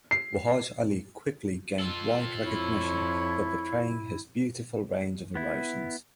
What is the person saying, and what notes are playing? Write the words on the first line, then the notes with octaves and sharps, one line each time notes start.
Wahaj Ali quickly gained wide recognition for portraying his beautiful range of emotions.
C7
F4 A4
F2 E4 C#5
B3 E4